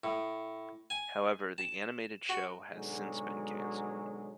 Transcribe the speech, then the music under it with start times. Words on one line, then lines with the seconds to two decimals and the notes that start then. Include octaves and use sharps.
However, the animated show has since been cancelled.
0.04 A2
0.90 G#5
1.58 A5
2.29 F#4
2.73 G#2 B2 D3 F#3 G#3